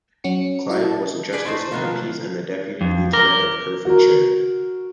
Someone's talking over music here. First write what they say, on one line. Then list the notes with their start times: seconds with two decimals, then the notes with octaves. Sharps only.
Clive was a Justice of the Peace and the Deputy Lieutenant of Herefordshire.
0.24 F#3 C#4 F#4 C#7
0.69 E4 F#4 D#5 E5
0.84 A5
1.33 G#4 B4 D5
1.45 A3 D#4 C5 D#5 C6
1.72 C3 D#3 F#3 A3 F4 B4
1.84 F3
2.81 F2
3.13 A#4 D6 A#6 G7
3.85 F#4 A#4